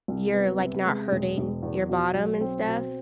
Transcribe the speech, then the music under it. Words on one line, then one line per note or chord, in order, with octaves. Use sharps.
you're, like, not hurting your bottom and stuff.
C2
B3
C3
G#3
E1
E1
E2
B2
B1
C4
B2